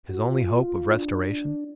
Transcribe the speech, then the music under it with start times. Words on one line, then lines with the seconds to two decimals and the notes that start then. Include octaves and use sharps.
His only hope of restoration!
0.09 F#4
0.26 F4
0.93 D4